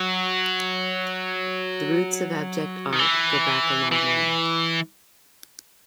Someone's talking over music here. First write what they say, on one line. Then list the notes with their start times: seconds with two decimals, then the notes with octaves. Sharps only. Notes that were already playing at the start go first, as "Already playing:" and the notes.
The roots of Abject art go back a long way.
Already playing: F#3
2.92 D#3
2.99 E3
3.91 E3